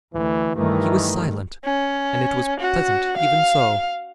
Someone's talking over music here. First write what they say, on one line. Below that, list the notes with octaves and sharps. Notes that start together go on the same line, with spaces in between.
He was silent, and it was pleasant even so.
D2 E3
G2 D#3 E3 A3
C#4
F#4
F5